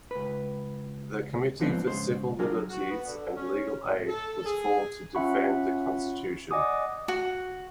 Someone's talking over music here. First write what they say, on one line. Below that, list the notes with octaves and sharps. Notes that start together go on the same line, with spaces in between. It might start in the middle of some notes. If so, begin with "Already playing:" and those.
The Committee for Civil Liberties and Legal Aid was formed to defend the constitution.
C#2 B4
D2 G#2 F3 B3 C4 D4
G#2 C#3 C5 C6
F#3 D4 F4 F#4 G#4 A#4
F#4
B3
D3
C#4
A2
A4
G#4
C#4 F4 E5 F#5 B5 C#6
D5 D#5 F#5 G#5 D6 D#6
F#4